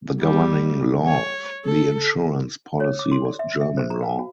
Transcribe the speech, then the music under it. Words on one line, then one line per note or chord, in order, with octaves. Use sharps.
The governing law of the insurance policy was German law.
G3
C#5
A4
C#5
D6
C6
D5
E5
E5
C5
A#5
F5
F#4